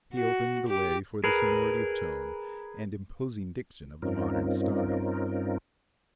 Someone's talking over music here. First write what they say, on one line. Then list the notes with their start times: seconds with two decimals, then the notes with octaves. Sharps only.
He opened the way for the sonority of tone and imposing diction of the modern style.
0.15 F#4
0.69 G4
1.24 G#4 A#4 B4
4.02 G2 C4 C#4 D#4 F4 A#4